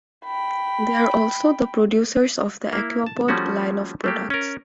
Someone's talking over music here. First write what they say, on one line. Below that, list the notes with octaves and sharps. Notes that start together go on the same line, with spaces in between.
They are also the producers of the Aquapod line of products.
G5 B5
A#3 E4
A5
F3 G3 A3 A#3 C#4 F#4
A3 A#3 G4
C#4 A#4